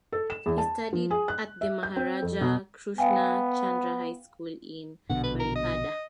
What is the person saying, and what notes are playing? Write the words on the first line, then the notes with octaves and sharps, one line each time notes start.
He studied at the Maharaja Krushna Chandra High School in Baripada.
A4
E7
E2
A5
F3
G#4
F#6
E5
G6
C4
F2
B2
B3 F5 G5 G#5
A#1 B2 D3 F#5
B4
A#4
D#5